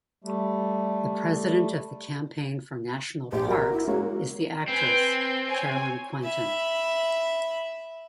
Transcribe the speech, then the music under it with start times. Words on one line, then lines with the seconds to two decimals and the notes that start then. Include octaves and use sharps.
The President of the Campaign for National Parks is the actress, Caroline Quentin.
0.24 G3 A3
3.32 A#1 G4
3.48 F#4 A#4
3.73 E4
3.88 G#3 A#3 C#4 F#4
4.69 C4 B4 G#5 G6
5.48 C#5 G#5
6.24 E5 B5